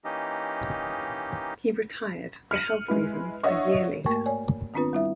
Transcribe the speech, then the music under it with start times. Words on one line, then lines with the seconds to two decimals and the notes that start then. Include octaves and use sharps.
He retired for health reasons a year later.
0.04 E3 A#3 C#4 D#4 G4 D#5
2.51 F6 C#7 D#7 F#7
2.88 G#3 E4 B4
3.43 D4 C#5 D#5 E5 F#5 C#6
4.06 G#2 A3 A#3 A#4 C#6
4.26 C#5 D5 G#5
4.74 D#3 B3 C4 D4 F4 B4
4.93 G3 E4 E5